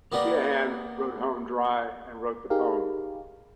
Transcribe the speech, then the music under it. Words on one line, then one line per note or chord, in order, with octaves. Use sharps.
Sheahan rode home dry and wrote the poem.
A#3 B3 G4 D5 A#5
D#4 G4 G#4 A#4 F5